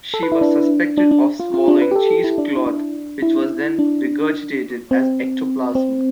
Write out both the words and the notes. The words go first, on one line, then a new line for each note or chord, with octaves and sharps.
She was suspected of swallowing cheesecloth which was then regurgitated as "ectoplasm".
A4
B4
E4
D4
D4
D4
F4
F4
D4
B4
G4
A4
E4
D4
E4
D4
E4
D4
C4
C4